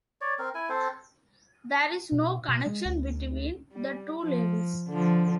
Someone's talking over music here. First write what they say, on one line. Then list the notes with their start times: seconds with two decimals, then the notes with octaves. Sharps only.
There is no connection between the two labels.
0.21 C#5 D5
0.39 C4 A#4
0.55 E4 G#5
0.69 C4 A4 C5
2.12 B2
2.48 B2
2.66 G#3
2.85 D2
3.72 G3
4.20 F3
4.88 D3 F3